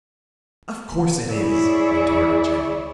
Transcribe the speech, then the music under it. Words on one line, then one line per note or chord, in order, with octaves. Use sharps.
"Of course it is," retorted Jenny.
E4 G#4 C#5 D5